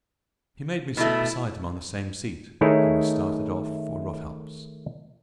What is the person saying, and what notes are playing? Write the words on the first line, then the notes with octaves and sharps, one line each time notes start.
He made me sit beside him on the same seat and we started off for Rothalps.
B2 A3 E4
D#3 A3 D#4 E4 G#4 C#5